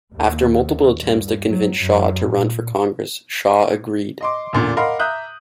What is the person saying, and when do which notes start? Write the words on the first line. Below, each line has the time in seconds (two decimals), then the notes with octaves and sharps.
After multiple attempts to convince Shaw to run for Congress, Shaw agreed.
0.13 D#2
0.99 G2
1.50 F#3
1.83 F#2
2.31 A#2
4.21 D#5 C6 D6
4.53 E2 A#2 D3
4.77 A#4 D#5 F5 F#5 B5 C6
4.99 E5 A#5 D#6 F#6 G6